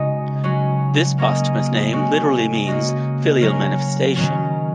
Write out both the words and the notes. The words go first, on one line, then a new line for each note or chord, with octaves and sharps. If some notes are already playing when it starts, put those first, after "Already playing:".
This posthumous name literally means "filial manifestation".
Already playing: C#3 G#3 D#4 F#4 D#5
F#3 C#4 F#4
A#3 C#4 A#4 D#5
C#3 G#3 C#4 F#4
A#3 C#4 F#4 D#5
F#3 C#4 A#4 C#5
D#3 F#3 C#4